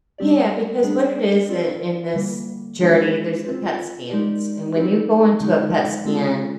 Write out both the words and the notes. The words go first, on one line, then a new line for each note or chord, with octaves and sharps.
Yeah, because what it is i in this journey, there's the PET scans. And when you go into a PET scan,
G3 C4 G4 D5
G3 D4 G#4 D5
C4 F4 A#4 D5
D3 G3 A#3
D#3 G#3 D4 F4 G#4
C4 F4 C5
G#3 D#4 G4 A#4 D5
C4 D#4 G4 D5
D3 G#3 D#4
G#3 C4 F4 G#4